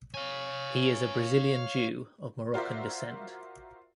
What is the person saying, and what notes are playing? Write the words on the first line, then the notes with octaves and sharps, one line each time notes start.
He is a Brazilian Jew of Moroccan descent.
C#5 F5 G#5
F4 F#4 A#4 C5 D5 E5